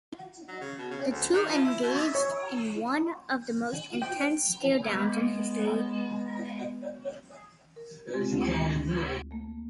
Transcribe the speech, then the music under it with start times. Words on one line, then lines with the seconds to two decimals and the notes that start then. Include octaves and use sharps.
The two engaged in one of the most intense staredowns in history.
0.48 F#3
0.61 C#3
0.78 B2
0.91 C#3
1.08 D2
1.33 D#3
1.49 F3
1.64 E4
1.82 B2
2.15 C#5
4.02 G5
4.84 G#3 B3
7.76 A#4
8.14 G#3 C4 F4 G4
8.32 D2 A3 E4 F4
9.31 A3 A#3